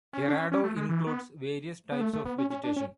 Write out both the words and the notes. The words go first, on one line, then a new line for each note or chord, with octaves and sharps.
Cerrado includes various types of vegetation.
C#4
D4
C#4
C#4
A3
G#3
E3
B3
B3
A3
A3
B3
C#4
C#4
D4
C#4